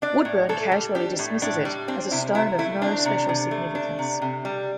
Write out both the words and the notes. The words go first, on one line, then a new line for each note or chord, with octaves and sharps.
Woodburn casually dismisses it as a stone of no special significance.
D4 D5
A2
A2 A4
G3
D4 G4
A2
A2 D4
G3
C4 D4
C3 E4
C3 E4
A3 E4
C4 D4
C3
C3
A3
D4
C3
C3
G3